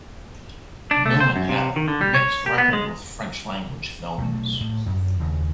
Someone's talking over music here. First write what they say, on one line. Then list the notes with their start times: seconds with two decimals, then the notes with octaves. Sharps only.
Newman had a mixed record with French-language films.
0.91 D4
1.06 A3
1.20 C5
1.36 F#2
1.49 C3
1.76 D#3
1.88 D3
2.01 G3
2.14 C#5
2.46 G4
2.58 B3
2.73 G#3
4.18 B1 A3
4.60 A2
4.86 F#2
5.20 D#2 C#3